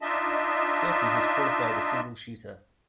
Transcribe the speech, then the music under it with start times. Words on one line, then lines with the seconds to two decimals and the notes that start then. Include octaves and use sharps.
Turkey has qualified a single shooter.
0.02 D4 D#4 F4 D#5 E5 A5